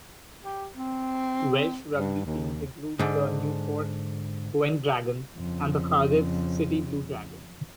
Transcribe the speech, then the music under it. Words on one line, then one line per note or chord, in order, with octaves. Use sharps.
Welsh rugby teams include the Newport Gwent Dragons and the Cardiff City Blue Dragons.
G4
C4
G2
D#2
G#2 D3
F2 C#3